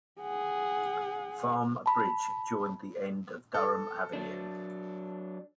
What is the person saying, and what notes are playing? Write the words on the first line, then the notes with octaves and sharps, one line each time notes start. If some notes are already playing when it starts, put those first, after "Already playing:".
Farm Bridge joined the end of Durham Avenue.
G#4 F#5
A5 B5
A4
F#3 D4